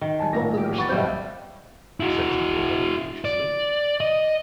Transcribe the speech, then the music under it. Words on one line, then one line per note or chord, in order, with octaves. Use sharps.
"I don't understand," said Spatola, anxiously.
D#3
G#5 A5
A1 A#2 A#6
G4
B3 C#6 A6
G3 A3 D#5 F5
E4 F#4
D5
D#5